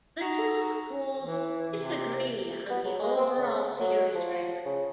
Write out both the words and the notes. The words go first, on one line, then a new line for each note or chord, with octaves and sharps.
The two schools disagree on the overall series record.
D#4 F#4 A#5 C#6
E3
C3
B3
F#3
G#3
C4
C#3
F#3
F3
C#3